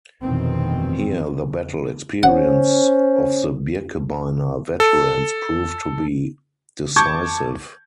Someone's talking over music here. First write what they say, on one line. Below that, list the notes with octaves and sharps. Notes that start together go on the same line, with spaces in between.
Here the battle experience of the Birkebeiner veterans proved to be decisive.
F1 G2 B2 D#3 E3 C4
C#4 C5 F#5
A4
A5 C#6 D6 G6 G#6